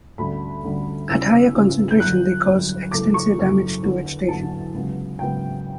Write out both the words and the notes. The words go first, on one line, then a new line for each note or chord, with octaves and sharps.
At higher concentrations they cause extensive damage to vegetation.
D2 D3 G3 C#4 B5
D2 D3 G3 C#4
E2 C#3 G3 C#4 E6
E2 C#3 G3 C#4
G6
F#2 D3 G3 F#6
F#2 D3 G3
F#2 C#3 E3 A3 D6
C#6
F#2 C#3 E3 A3
E2 D3 F#3
E2 D3 F#3 A5
C#2 C#3 F#3 B3
C#2 C#3 F#3 B3 G5